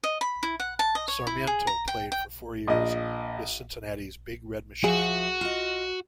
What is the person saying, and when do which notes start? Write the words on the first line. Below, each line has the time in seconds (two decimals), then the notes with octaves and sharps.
Sarmiento played for four years with Cincinnati's "Big Red Machine".
0.04 D#5
0.21 B5
0.43 E4
0.60 F#5
0.79 A5
0.95 D#5
1.08 C#5
1.27 E4
1.47 G#4
1.67 A#5
1.88 G5
2.12 G5
2.67 A#1 D#5
4.84 F3 F#4 G#4 E5 F#5
5.41 F4 D#5